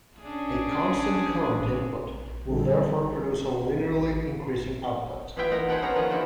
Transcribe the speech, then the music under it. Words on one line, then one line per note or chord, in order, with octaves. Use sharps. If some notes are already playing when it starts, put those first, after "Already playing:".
A constant current input will therefore produce a linearly increasing output.
C#4 D4 G#4
D3 G3 G#4 A4
E3 B3 E4 F4 E5 G5
B3 D#4 A#4
G#4 C5 E5 F#5 G5 A5
B3 C#4 G#4 A4 A#5
D#3 F3 A#3 F4 F#5
E3 E4 F#4 G5 A5